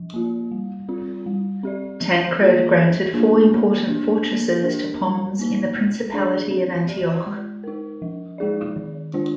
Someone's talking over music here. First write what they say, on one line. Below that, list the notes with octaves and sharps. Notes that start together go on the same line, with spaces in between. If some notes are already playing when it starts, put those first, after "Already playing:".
Tancred granted four important fortresses to Pons in the Principality of Antioch.
Already playing: F3
A#3 F4
G3
C4 F4
G3
C4 G4 D5
F3
A#3 F4 G#4
F3
A#3 D4 F4 G#4
A#3
D4 G4
A#3
D4 G4 A#4
G3
A#3 D#4
G#3
D4 G#4 D5
C4
G4 D5
G#3
D#4 A#4
F3
G#3 D#4 G#4 D5
D#3
G#3 D4 F4 C5